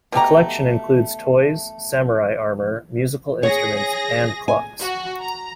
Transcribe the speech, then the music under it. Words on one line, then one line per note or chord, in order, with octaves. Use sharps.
The collection includes toys, Samurai armour, musical instruments, and clocks.
B2 A3 G4 A#5
G#4 C#5 A#6
G#5
F#4
A#5